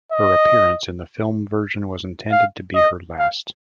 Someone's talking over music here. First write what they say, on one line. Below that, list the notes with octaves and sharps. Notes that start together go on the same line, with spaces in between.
Her appearance in the film version was intended to be her last.
D#5
F5
D#5
F5